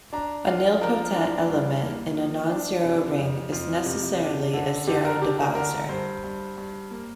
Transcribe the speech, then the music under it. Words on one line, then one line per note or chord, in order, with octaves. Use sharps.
A nilpotent element in a nonzero ring is necessarily a zero divisor.
D4 A#5
D4 F5
F3 A#4
D4
G2
A#3
F3
D4
C3
F2
F2 F4
C3
D4
D3
D3 G4
A#4
D4 G4
A#4
D3 A#4
G2 C5
G2
G2
A#3